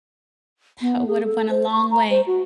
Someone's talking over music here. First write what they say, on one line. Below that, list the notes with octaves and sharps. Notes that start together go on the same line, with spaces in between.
That would've went a long way.
B3
G#4
A4
C5
C#6
A#5
C5
F#4